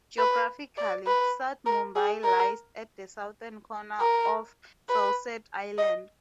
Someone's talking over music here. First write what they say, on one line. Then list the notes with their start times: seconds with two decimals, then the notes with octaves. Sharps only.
Geographically, South Mumbai lies at the southern corner of Salsette Island.
0.18 B4
0.78 D5
1.07 B4
1.66 A#4
1.96 G#4
2.24 A#4
4.00 A#4
4.89 B4
5.78 D#5